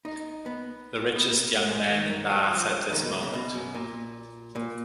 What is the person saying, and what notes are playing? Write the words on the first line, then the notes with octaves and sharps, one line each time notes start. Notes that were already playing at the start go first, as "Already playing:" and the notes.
The richest young man in Bath at this moment.
D#4
B3
B3
A#3
G#3
D#3
D#3
F#3
F#3
F3
D#3
B2
C#3
C#3
B2
F#2
A#2
A#2